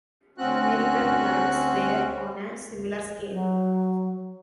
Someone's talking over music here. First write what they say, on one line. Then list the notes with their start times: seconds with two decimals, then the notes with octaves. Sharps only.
American plans were on a similar scale.
0.38 D2 C4 C#4 F#4 F#6
3.32 F#3